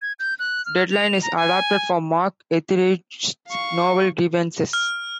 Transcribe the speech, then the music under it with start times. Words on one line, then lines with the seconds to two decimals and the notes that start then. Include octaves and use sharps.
Deadline is adapted from Mark Ethridge's novel Grievances.
0.02 G#6
0.19 G6
0.39 F#6
0.66 F6
0.90 F7
1.23 A#5
1.37 G#5
3.48 F5 C#6
4.73 F6